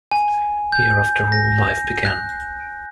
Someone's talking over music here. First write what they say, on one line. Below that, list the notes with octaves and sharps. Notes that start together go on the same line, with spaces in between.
Here, after all, life began.
G#5
G6
A#6
F#6